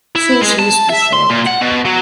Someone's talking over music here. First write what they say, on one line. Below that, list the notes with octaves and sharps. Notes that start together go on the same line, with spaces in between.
Susi is too short.
E4
G#3
A5
E5
C6
A#2
F#5
B2
F#3